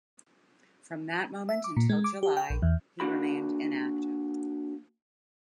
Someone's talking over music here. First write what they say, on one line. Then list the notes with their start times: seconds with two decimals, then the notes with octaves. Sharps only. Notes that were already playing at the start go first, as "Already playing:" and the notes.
From that moment until July, he remained inactive.
1.49 E5
1.64 D6
1.77 A#2
1.89 G#3
2.04 D6
2.23 G4
2.37 G5
2.50 A#1
2.62 E2
3.00 A#3 D4 F#4 B5